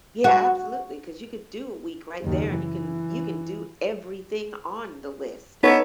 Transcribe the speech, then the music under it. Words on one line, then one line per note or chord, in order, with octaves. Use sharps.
Yeah, absolutely, 'cause you could do a week right there, and you can you can do everything on the list
F#4
F#1 D#2
E3
B3 D#4 A4 C#5